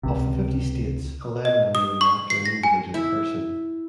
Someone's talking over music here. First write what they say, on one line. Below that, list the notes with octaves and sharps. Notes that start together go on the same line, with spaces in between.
Of the fifty states, eleven are named after an individual person.
C#2 C3
D#5
D#6
C#6
C7
A#6
G#5
E4